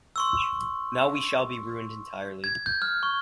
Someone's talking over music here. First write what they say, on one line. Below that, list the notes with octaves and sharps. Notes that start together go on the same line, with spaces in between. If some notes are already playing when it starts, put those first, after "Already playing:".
Now we shall be ruined entirely.
C6 C#6 E6
G#6
G6
F6
C#6